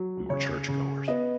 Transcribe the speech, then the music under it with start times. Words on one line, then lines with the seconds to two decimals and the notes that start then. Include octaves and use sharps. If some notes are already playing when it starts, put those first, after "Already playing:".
we were churchgoers
Already playing: F#3
0.30 C#3 C#5
0.68 C#3
1.08 B3 D#5